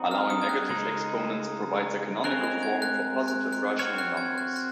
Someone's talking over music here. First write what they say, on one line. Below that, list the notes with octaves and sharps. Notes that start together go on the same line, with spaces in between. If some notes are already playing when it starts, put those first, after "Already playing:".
Allowing negative exponents provides a canonical form for positive rational numbers.
Already playing: C4 D#4 F#4
F6
D#6
G#6
F#6
C#3 G#3 D#4 G#6
G#3 C4 F4 A#4 C#5 F#6
F#6
G#6
F#6
F#6
F#6
C4 F#4 C#5 F6
F#6
G#6
F#6
F#6